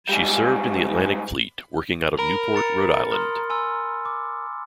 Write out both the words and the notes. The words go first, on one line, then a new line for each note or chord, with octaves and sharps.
She served in the Atlantic Fleet working out of Newport, Rhode Island.
G#2 G3
A#4 B5
A#5 A6 C#7
C6 D#6 F6
G#5 C6 E6
D6